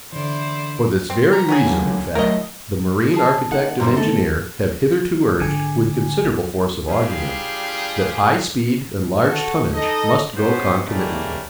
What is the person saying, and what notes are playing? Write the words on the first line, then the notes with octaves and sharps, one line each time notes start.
For this very reason, in fact, the marine architect and engineer have hitherto urged, with considerable force of argument, that high speed and large tonnage must go concomitantly.
D3 E3 E4 C5 D5
C4
A#5
B3 C#4 G#4
D3 F#3 A#3
F#3 A3 E4 A#4 D#5
G#4 A5
A#3 D#4 E4 F#5
G1 F#2 G3 C5 A#5
A3 A4
G#1 D3 G#5
G3 D4 F4 G4 G#4
F#4 A4
D#4 A4 D#5
D#2 B3 C#4 G4 C5
G#2 C#3 E3 G3 A3 A#3